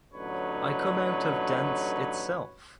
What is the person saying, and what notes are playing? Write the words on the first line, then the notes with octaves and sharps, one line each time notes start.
I come out of dance itself.
A1 D3 F#3 D#4 B4 C#5